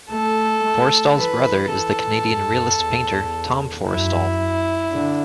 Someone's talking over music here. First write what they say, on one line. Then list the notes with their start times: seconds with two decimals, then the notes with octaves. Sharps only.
Forrestall's brother is the Canadian realist painter, Tom Forrestall.
0.11 A3 A4
0.64 A3
1.18 E3 B4
1.71 E3 A4
2.25 F#2
2.79 E2
3.86 F#2 E4
4.93 D3